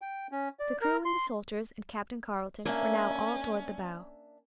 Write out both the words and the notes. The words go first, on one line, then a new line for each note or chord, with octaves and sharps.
The crew and the soldiers and Captain Carleton were now all toward the bow.
G5
C#4
D5
A#4
C6
A#3 C#4 D4 E5